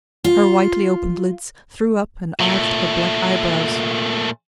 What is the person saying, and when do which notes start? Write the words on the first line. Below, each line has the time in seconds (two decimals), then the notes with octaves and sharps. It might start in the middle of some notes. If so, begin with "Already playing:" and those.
Her widely opened lids threw up and arched her black eyebrows.
0.24 F4
2.39 A#2 A3